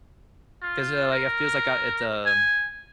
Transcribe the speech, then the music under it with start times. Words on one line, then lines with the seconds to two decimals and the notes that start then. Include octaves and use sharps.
'cause, eh, like, it feels like, uh it's um
0.62 F4
1.12 A#4
2.26 G#5